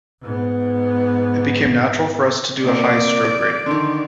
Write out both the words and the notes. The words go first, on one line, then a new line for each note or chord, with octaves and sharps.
It became natural for us to do a high stroke rate.
G#2 B3
C3 A#3 C4 D5
D3 D#3 C6